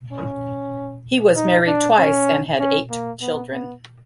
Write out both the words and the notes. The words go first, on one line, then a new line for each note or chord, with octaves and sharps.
He was married twice and had eight children.
C#4
D#4
D4
C#4
C#4
A#3
B3
B3